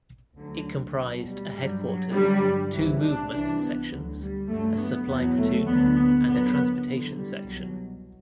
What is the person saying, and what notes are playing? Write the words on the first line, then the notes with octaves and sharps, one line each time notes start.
It comprised a headquarters, two movements sections, a supply platoon and a transportation section.
D2 D3 F#3
C2 B2 F#3
G3
G2 F#3 G3
F#3
G2 D3 F#3 G3
C2 C3 E3
D4
C2 C3 E3 D4
B3
D2 D3 F#3
G3
G2 D3 F#3 A3
B3
E2 B2 F#3 B3
A3
D2 D3 F#3 B3
B3
F#2 D3 F#3 B3
E2 D3 F#3
G3
C2 B2 F#3